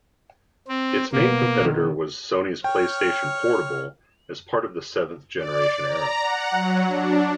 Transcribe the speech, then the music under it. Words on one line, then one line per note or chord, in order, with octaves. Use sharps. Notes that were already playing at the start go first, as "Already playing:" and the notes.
Its main competitor was Sony's PlayStation Portable as part of the seventh generation era.
C4
B2 A#3 B3
D3 D#3
C#5 G5 F6
D5
A#5
F#5
F#3
D4